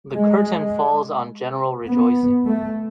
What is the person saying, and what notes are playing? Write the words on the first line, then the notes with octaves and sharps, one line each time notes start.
The curtain falls on general rejoicing.
G#3
B3
A3